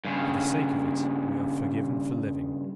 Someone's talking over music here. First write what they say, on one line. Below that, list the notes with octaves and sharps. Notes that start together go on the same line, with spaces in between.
For the sake of it we are forgiven for living.
G2 C#3